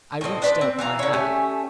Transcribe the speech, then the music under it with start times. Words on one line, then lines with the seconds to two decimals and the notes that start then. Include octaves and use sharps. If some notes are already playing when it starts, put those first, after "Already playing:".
I reached out my hand.
0.21 A2 F3 C4 D#5
0.42 D4 B4 C5
0.61 C4
0.78 E3 F4 A#5
0.99 D3 C#5
1.13 A3 C#4 G4 G#5